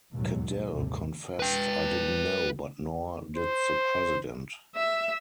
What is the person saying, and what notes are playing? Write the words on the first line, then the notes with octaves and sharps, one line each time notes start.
Cadell confessed 'I didn't know but nor did the president.
A1 D#2 G#2 B2 F#3
A#1 D#2 G#2 C3
B4 G5
C5
E5